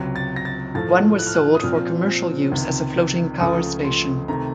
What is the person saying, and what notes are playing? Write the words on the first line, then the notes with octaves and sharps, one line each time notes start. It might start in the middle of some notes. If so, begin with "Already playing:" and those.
One was sold for commercial use as a floating power station.
Already playing: C#2 C3 F#3
A6
A#6
A6
A2 F3 A3 A6
F#6
F6
F#6
D#6
A#2 F3 C4 F6
C#2 C3 D#3
C#2 C#3 F3 A3 D#6
C6
C3 D#3 A3 A#5